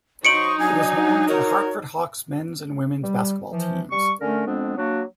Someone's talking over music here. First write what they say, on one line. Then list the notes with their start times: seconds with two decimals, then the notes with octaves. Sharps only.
It is home to the Hartford Hawks men's and women's basketball teams.
0.25 F#3 D#4 C5 C#6 C#7 D7 F#7
0.59 F#3 D4 G#5
1.29 F#4 A#4 C#5
3.02 G3
3.51 E3 F3
3.91 G3 C#6
4.21 D3 A3 C#4 A#4
4.47 F2 G#3 B3 C4 D4
4.77 F#3 A#3 D4 F#4